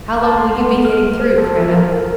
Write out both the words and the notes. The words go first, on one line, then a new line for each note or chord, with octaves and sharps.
"How long will you be getting through, Kreta?"
A5
C6
B3
F6
A#3
C5
A4
F3
A#4